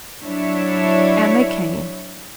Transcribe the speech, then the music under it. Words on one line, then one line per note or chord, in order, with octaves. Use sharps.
And they came.
F#3 D4 E4 C#5 E5